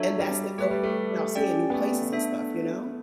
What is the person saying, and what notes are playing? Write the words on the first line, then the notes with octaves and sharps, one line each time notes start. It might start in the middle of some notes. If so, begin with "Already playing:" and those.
And that's the dope about seeing new places and stuff, you know?
Already playing: F#3 D4 A4 C#5 E5
G3
A3 G4 B4 E5
G3
A3
C#4 G4 D5 G5
B3
A3
D4 A4 E5